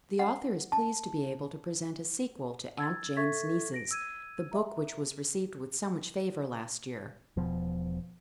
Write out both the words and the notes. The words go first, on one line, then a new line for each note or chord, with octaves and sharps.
The author is pleased to be able to present a sequel to "Aunt Jane's Nieces," the book which was received with so much favor last year.
F#5
A5
E6 G#6 A6
A4 E5 C#6 G#6 A6 B6
A#6 D7
E6 G#6 D#7
E5 A#5
E1 B2 F3